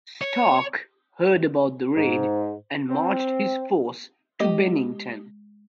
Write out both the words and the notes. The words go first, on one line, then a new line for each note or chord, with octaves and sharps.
Stark heard about the raid and marched his force to Bennington.
C#5
G#2
C4
G#3 G4 D#5